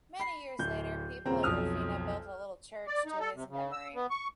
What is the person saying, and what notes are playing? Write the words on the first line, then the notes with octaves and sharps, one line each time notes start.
Many years later, people in Rafina built a little church to his memory.
B5 C7
D1 G6
D#1 C#3 C4 C5 A#5
B1 F2 D#6 F6 F7
D5
D#4
A4
C3
C#3
E6
B3
C#6